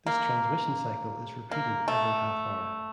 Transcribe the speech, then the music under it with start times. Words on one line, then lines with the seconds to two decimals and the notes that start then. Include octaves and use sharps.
This transmission cycle is repeated every half-hour.
0.07 A#3
1.51 A#3
1.88 A3